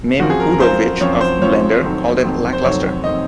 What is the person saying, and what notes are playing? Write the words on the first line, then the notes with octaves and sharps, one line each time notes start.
Mim Udovitch of "Blender" called it "lackluster".
F#2 F3 C4 F4 F#4
G#4
A#4
A#4
F#2 F3 C4 F4 C5
F#2 F3 C4 F4 C#5
C5
F#2 F3 C4 F4 C#5
F1 F2 D#3 F#3 C4
F1 F2 D#3 F#3 C4
C5
F1 F2 D#3 F#3 C4 C#5
D#3 F#3 C4 D#5